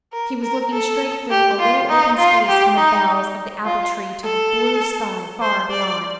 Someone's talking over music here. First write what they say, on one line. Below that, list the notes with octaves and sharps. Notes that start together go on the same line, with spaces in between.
She was looking straight through a little open space in the boughs of the apple tree to the blue sky far beyond.
A#4
A#4
A4
G4
F4
D#4
F4
G4
D#4
F4
A4
C5
D5